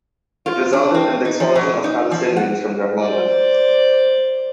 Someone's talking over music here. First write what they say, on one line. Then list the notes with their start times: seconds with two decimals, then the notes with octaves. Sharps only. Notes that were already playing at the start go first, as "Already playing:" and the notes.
It resulted in the expulsion of Palestinians from their homeland.
0.46 F4
0.73 D4
0.94 C4
1.25 D#4
1.40 F3
1.55 B2
1.84 D#4
2.11 F3
2.37 F#5
3.01 C5 D5